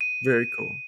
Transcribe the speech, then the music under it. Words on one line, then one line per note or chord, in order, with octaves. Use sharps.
Very cool.
D#7